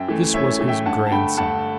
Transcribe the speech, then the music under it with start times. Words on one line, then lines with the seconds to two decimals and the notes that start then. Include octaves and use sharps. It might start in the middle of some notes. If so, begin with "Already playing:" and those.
This was his grandson.
Already playing: F#2 E5 G5
0.08 E3 A3
0.34 F#2 C#5 E5
0.59 E3 A3
0.68 E5 G5
0.85 G2 F#5 A5
1.06 A5
1.11 D3 A3 G5 B5
1.37 G2 F#5 A5